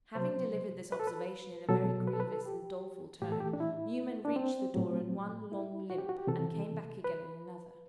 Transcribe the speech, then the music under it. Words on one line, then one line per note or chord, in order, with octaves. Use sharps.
Having delivered this observation in a very grievous and doleful tone, Newman reached the door in one long limp, and came back again in another.
C3 F#3 C5
B4
A4
B4
B2 F#3 A4
B4
A4
B4
A4
G4
A2 E3 G4
A4
G4
D4
E4
D4
C4
A2 F#3
E4
F#4
G4
F#4
G4
C3 E3 A4
B4